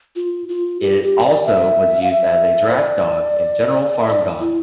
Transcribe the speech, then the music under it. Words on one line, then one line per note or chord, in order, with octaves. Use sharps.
It was also used as a draft dog, and general farm dog.
F4
F4
G4
G4
D5
E5
F5
E5
C5
D5
E5
D5
E4